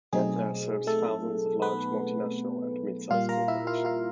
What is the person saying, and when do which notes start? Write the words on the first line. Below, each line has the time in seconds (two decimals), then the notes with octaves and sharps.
GetThere serves thousands of large multinational and mid-size corporations.
0.13 B2 F#3 A3 C4 D#4 G#4
0.87 A3 A4
1.62 B3 B4
3.11 A#2 G3 A#3 F4 F5
3.29 A#4 A#5
3.48 E4 E5
3.67 F4 F5
3.85 F4 F5